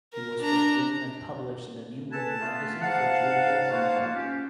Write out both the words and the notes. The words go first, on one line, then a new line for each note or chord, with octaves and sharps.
It was first written and published in "The New Woman" magazine for Julia Demagogue.
A#4
D4 A#5
A4 B4 G#5 A5
A3 B3 F4
G#2 F5 F#5 A5
A#3 F4 F#4
C#4 G4